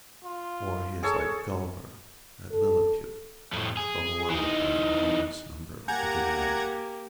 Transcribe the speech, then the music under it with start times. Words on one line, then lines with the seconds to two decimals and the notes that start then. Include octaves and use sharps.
Or he is like Gulliver at Lilliput, overwhelmed by an enormous number of little men.
0.24 F4
1.03 G#4 A4 C#5
2.52 A4
3.53 F2 A2
3.77 G#4
4.30 E3 D#4
5.88 A#3 G4 F#5 G#5 A#5 G6 G#6